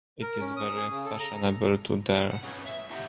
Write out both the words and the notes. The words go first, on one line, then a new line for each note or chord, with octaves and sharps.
It is very fashionable to dare.
A#4
C#4
D#6
G#4
C#3
A4
A#5
F#5
C#4 G#4 B4 C#5
E5
E2 A2 D3 G4 F#5 A#5